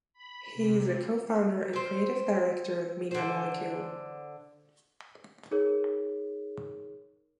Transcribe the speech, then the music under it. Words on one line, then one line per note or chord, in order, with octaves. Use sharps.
He is a co-founder and creative director of Media Molecule.
B5
C3
C4 C5
D3 C5
D#4 G#4 A#4 C#5